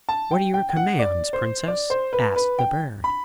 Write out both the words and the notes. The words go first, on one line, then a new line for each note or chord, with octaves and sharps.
"What are your commands, princess?" asked the bird.
A5
G5
G5
G5
F#5
D5
C5
D5
C5
B4
B4
G5
B5